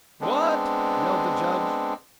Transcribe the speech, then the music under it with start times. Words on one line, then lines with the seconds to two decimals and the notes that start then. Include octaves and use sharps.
"What!" yelled the Judge.
0.21 G#3 B3 C4 D4